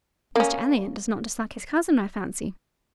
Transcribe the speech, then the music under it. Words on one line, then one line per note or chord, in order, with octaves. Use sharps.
"Mr Elliot does not dislike his cousin, I fancy?"
A#3 C#4